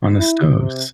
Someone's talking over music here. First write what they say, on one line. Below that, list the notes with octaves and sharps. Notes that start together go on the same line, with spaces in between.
on the stoves.
E4
C3